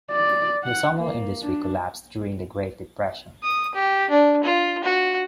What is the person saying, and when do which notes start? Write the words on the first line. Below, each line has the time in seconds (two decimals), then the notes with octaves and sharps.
The sawmill industry collapsed during the Great Depression.
0.12 D5
0.64 F#5
0.99 A#3
1.43 D4
3.43 D#6
3.75 G4
4.10 D4
4.44 F4
4.84 F#4